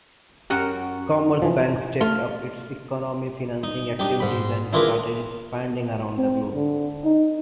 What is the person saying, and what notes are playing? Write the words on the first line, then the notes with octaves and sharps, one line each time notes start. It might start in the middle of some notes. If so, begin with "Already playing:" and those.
Commerzbank stepped up its economic financing activities and started expanding around the globe.
F#2 F#4 G4 A#4 F#5
E3 F3
A3 F4
D#4
D4 D#4 G4
G#2 B5
D4 E4 F4 G#4 A#4 B4
C4
D3
D#4